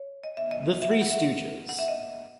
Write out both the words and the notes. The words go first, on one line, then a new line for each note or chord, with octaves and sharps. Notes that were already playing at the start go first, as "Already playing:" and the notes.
The Three Stooges.
Already playing: C#5
D#5
E5
D#5
E5
F#5
F#5
E5
F#5
E5
D#5